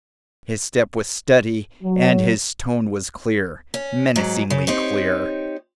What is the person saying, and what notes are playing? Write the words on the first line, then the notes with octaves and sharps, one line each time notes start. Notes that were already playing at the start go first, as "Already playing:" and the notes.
His step was steady and his tone was clear, menacingly clear.
F#3
C#4
G#2 F#3
C#3
C4 D#4 G4 C#5